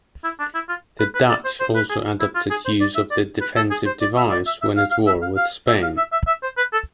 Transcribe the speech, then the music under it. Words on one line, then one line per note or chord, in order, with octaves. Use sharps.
The Dutch also adopted use of the defensive device when at war with Spain.
E4
D4
E4
F4
B4
B4
D5
C5
C5
B4
G#4
E4
F4
G#4
C5
D5
E5
D5
B4
A4
G#4
C5
D5
E5
D5
E5
E5
F5
F5
E5
F5
F5
E5
F5
E5
E5
E5
C5
B4
A4